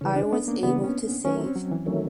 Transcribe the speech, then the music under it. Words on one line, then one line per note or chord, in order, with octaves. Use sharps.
I was able to save.
C#3 E3 G3 C#4
D4
B3
A#3
C#3 E3 G3 B3
C#4
D#3 F#3 A3 C#4
C4
F#3
E3
D#3 F#3 A3